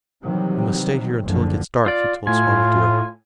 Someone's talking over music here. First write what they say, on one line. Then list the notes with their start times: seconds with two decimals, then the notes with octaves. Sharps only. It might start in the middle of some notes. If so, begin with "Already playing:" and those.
"We must stay here until it gets dark," he told Spotted Deer.
0.22 C3 D#3 E3 F#3 G3
1.23 F#1 D2 A2 D3 F3
1.86 F4 D5
2.27 A2 F4 G#5